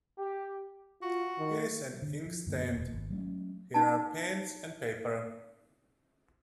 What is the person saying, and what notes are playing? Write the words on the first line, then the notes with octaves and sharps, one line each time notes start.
Here is an inkstand, here are pens and paper.
G4
F4 F#4
D#3
D3
F3
F#2 D3 A#3
E1
G#1
F#3 G#3 A3 C#4
D#4 A5